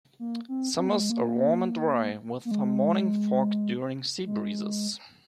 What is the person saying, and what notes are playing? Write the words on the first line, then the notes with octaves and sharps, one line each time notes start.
Summers are warm and dry, with some morning fog during sea breezes.
A#3
C4
C4
A#3
G#3
A#3
A#3
G#3
G#3